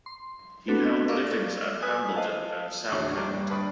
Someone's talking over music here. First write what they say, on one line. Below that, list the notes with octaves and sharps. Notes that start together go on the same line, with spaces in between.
He held livings at Hambleden and Salkeld.
C6
B3 C4 D4 F#4 A4 B4
A4 A#4 D5 F5 C#6 D6
B4 G#5 D#6 F#6
C5 D#5 F5 A5
A#1 E2 C#4 D4 F#4 C#6
G3 D4 D5 A#5 D6
G2 A#3
G2 B4 D5 B5 C#6 D#6